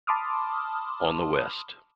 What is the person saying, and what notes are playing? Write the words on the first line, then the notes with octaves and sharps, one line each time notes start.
On the West.
A5 B5 C6 D6 D#6 F6